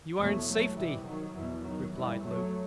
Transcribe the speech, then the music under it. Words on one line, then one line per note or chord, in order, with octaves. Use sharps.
"You are in safety," replied Luke.
E2 B2 F#3 A3
F#3 A3
C2 C3 E3 G3
D#3 F#3
E2 B2 E3
D#3 F#3
F#2 E3 G3
F#3 A3